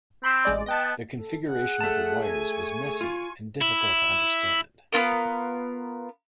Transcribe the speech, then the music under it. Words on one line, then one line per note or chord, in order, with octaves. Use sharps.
The configuration of the wires was messy and difficult to understand.
C4 B5 C6 E6
A1 G#3 D5
B3 D#5 G5 A5
A4
G#4 F#5
A3 A5
G#5 C#6
F4
E4
B3 C4 F4 A#4